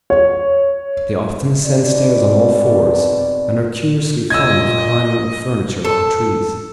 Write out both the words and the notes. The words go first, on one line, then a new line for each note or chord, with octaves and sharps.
They often ascend stairs on all-fours; and are curiously fond of climbing up furniture or trees.
C#5
G#2 B2 C4 D5
A#2 D#5 E6 G#6
A4